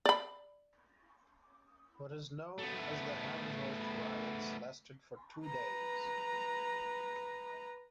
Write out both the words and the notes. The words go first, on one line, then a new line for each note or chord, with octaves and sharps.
What is now known as the Handsworth Riots lasted for two days.
D5 B5
A3 B3
B4 A#5